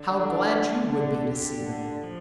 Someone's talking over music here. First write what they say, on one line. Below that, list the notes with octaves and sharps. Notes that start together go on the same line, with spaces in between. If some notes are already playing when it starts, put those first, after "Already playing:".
"How glad you would be to see them!"
Already playing: D3
D4
A3
D4
D3 G4
D4
F3